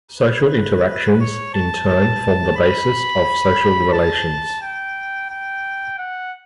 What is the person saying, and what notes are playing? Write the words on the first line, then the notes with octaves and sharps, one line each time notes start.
Social interactions in turn form the basis of social relations.
B4
C#5
A5
A5
B5
A5
G5
G5
F#5